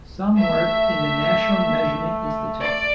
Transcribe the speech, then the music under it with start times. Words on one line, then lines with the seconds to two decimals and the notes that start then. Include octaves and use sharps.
Some work in the National Measurement Institutes.
0.38 A3 E5
2.61 D5